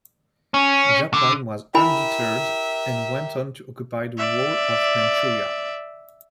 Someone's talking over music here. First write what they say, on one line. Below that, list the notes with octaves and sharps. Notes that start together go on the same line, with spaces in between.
Japan was undeterred and went on to occupy the whole of Manchuria.
C#4
D3
E4 G4 A#4 E5 G#5 B5
D5 E5